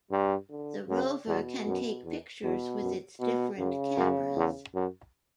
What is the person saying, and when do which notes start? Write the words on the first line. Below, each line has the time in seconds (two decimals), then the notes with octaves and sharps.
The rover can take pictures with its different cameras.
0.11 G2 G3
0.50 D3
0.88 F#2 C#3
1.27 E2 B2
1.66 F#2
2.04 E2
2.43 E2 B2
2.82 F#2
3.20 B2
3.58 F#2 C#3
3.97 F#2
4.36 E2
4.74 F#2